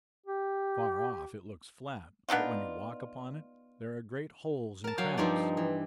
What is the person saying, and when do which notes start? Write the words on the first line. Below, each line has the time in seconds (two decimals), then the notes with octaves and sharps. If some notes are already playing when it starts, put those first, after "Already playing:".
Far off it looks flat, but when you walk upon it, there are great holes and cracks.
0.26 G4
2.29 B3 D4 D#4 F4
4.84 A#4 A5
4.98 F#3 F5 G5 A5
5.17 G2 F3 C4 D#4 D5
5.57 E3